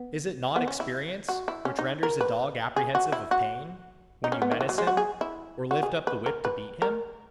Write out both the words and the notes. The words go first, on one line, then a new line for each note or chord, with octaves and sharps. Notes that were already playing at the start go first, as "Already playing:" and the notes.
Is it not experience, which renders a dog apprehensive of pain, when you menace him, or lift up the whip to beat him?
Already playing: B3
B3
C#4
E4
F#4
E4
C#4
D#4
A#4
B4
G#4
F#4
E4
F#4
D#4
C#4
B3
D#3
E3
F#3
G#3
F#4
G#4
E4
F#4
G#4
B4
A#4
B4
A#4